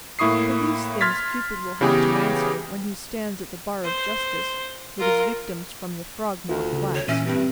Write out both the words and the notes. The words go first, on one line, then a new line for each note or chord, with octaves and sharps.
For these things Cupid will have to answer when he stands at the bar of justice with his victims from the Frogmore flats.
A2 A#3 E4 C#6 D#6 C7
C6 F6 G#6 A6 B6
C#3 E3 B3 G4 G#4
C5
F4 A#4
D2 F4
C#3 F#4
C#5
A#2 E3 C#4 E5
G2 C4